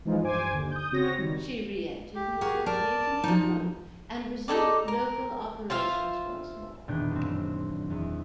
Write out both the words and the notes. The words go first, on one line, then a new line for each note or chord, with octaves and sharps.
She re-entered Newport late in April and resumed local operations once more.
E3 F3 G#3 D#4 F4
G2 C5 G#5 D6
D#2 D3
D#6 G6
C#3 C4 F#4 C#5 A#6
D#3 G3
G4
F#4 G#4 A#4
A#4 D5 A5
F3 D#4
D#4 E4 A4 D5
A#4
F4 C5 E5 F5
E1 A#2 D#3 B3 D4 G6
F#1 C4
E2